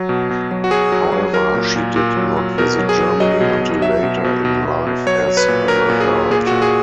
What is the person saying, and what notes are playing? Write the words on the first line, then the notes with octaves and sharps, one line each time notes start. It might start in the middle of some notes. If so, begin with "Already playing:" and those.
However, she did not visit Germany until later in life as an adult.
Already playing: F#3
B2
B2
F#3
F#4
F#3 G#4
F#3
F#3
F#3 A#4
A#2
A#2
A#2
F#3
F#3
B2 A#4
F#3
G#4
F#3
F#3 D#5
B2
B2
F#3 E5
B2
B2
B2
B2
B2
F#3 C#5
F#3
B4
A#2
F#3 A#4
A#2
G#4
A#2
A#2 G#4
F#4
A#2
G#4